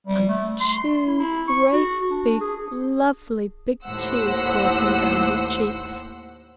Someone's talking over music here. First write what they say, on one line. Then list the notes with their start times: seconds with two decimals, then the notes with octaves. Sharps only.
And two great big lovely big tears coursing down his cheeks.
0.07 G3
0.28 A3
0.60 C6
1.07 E4
1.19 E4
1.48 C#6
1.73 F#4
2.10 D4
2.41 G#4
3.85 D#2 A2 C5 F#5 E6